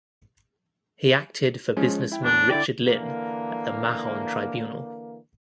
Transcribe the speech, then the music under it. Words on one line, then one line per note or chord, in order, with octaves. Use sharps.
He acted for businessman Richard Lynn at the Mahon Tribunal.
F3 G#3 C#4
E4 G5
E2 D4
D3 E4 D5 G5
D3 E3 A#3